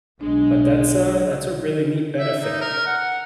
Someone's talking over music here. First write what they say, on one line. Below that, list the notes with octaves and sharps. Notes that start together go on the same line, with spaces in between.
But that's a that's a really neat benefit.
B1 G#3 D4
E5
D#4
A#4
F#5